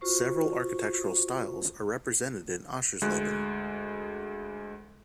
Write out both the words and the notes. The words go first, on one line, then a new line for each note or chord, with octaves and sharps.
Several architectural styles are represented in Aschersleben.
F4 F#4 C5 C#6
D2 G#3 F#6